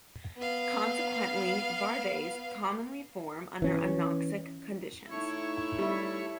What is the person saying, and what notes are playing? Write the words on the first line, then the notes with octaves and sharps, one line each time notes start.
Consequently, varves commonly form under anoxic conditions.
B3 F5
E3 C#4
A3 D#4 E4 C#5 C#6
G3 E5